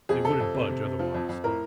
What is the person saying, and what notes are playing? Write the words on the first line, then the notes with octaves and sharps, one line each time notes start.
They wouldn't budge otherwise.
F2 G#4
C3 A4
F2
C3
C3
C3
F3
F2
F2
A2 A#4